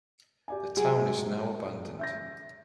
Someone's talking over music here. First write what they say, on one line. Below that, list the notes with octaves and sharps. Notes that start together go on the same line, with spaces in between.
The town is now abandoned.
G4 D5 G#5
F#3 G#4
E5 G6 A#6